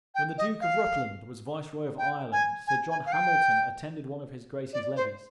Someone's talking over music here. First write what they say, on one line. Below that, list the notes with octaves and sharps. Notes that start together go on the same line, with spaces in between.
When the Duke of Rutland was Viceroy of Ireland, Sir John Hamilton attended one of his Grace's levees.
G5
D#5
F5
G5
G#5
G#5
G#5
F5
G5
D5
C5